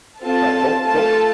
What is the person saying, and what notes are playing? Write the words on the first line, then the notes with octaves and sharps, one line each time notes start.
Right, don't don't c
C4 F4 A4 A5
A3 F4 A4 A5